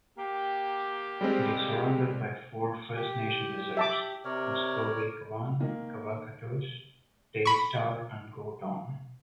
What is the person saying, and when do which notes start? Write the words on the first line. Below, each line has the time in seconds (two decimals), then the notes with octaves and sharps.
It is surrounded by four First Nation reserves: Muskowekwan, Kawacatoose, Daystar and Gordon.
0.16 A#3 G4
1.21 G3 G#3 C4
2.96 G4
3.77 E5 A5 D6
4.25 C3 A#4 C#5 D5
5.60 D#3 A#3
7.45 B5 C#6